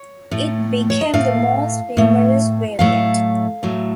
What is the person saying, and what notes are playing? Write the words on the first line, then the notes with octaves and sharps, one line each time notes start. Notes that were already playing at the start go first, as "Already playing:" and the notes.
It became the most numerous variant.
Already playing: C#5
A2 A3
C#5
D#5
A2 A3 F5
A2 A3
A2 F#3 A3 F5
A2 F#3 A3